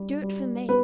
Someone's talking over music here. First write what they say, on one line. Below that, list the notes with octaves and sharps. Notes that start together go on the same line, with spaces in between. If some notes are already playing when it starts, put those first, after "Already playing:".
Do it for me....
Already playing: G3
G3
B3 B4